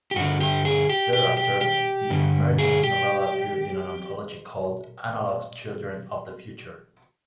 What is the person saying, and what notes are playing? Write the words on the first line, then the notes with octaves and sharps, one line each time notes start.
Thereafter the "Emergence" novella appeared in an anthology called "Analog's Children of the Future".
G4
G2 D3 F#4
G4
G#4
G4
G4
G4
G4
G2 D3
G#4
G4